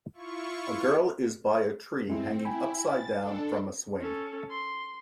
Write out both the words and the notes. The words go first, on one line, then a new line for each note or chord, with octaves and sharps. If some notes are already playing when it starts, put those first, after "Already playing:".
A girl is by a tree hanging upsidedown from a swing.
E4 F4 C#6
G2 G#3 C4 E4
E4 G5 G#5 B5
A6
D4 A4
C#4 A4
C6